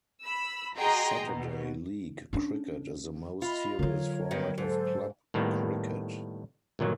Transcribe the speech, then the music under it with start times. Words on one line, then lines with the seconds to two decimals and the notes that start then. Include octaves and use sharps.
Saturday league cricket is the most serious format of club cricket.
0.23 B5 E6
0.76 F#4 G#4 D#5 G5 A#5 C6
1.22 B2
2.33 C#4 D4
3.42 F4 D#5 B5
3.79 D3 F#3 A#4 C#5
4.31 G2 D#3 B3
4.58 G#2 A4 C5
5.34 A2 D#3 G3 A#3 B3
6.79 G1 A#2 D#3 F#3